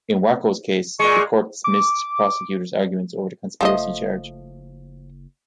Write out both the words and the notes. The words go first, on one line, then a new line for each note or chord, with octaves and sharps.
In Wako's case, the court dismissed prosecutors' arguments over the conspiracy charge.
A#2 G#3 C#6
D6
F#1 F3 A3 D#5